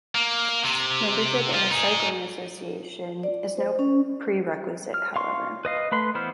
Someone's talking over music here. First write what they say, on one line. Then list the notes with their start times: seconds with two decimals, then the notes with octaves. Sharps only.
Membership in a cycling association is no prerequisite however.
0.15 A#3
0.65 C3
1.54 F3 F4
1.72 D#4 G#4
3.23 D5
3.57 C5
3.79 C#4
4.94 F6
5.16 F5 C6 C#6
5.65 B4 D#5 F5
5.92 A3 B4 C6
6.15 E3 B3 C5 B5 F6